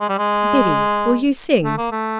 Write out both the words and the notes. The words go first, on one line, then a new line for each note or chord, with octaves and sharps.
'Biddy, will you sing.
G#3
G3
G#3
A3
A#3
A3